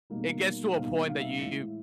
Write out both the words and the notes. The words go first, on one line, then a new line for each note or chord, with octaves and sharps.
It gets to a point that you
B2 G3 A#3 D#4
B2 G3 A#3 D#4 F5
F5
E5
F5
A2 E3 G#3 E5